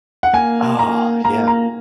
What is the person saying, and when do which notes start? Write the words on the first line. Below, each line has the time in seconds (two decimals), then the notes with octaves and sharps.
Oh, yeah.
0.23 F#5
0.33 A#3 G#5
0.79 A#3 A#5
1.25 A#3 A#5
1.48 A#5